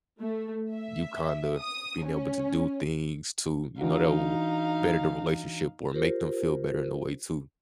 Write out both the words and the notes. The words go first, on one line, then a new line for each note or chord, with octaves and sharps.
you kinda being able to do things to, you know, that will better the relationship or make them feel better in a way too.
A3
E5
D#6
C#4
E3 D4 D#4 F#4 F5
F4 G4 A#4 C5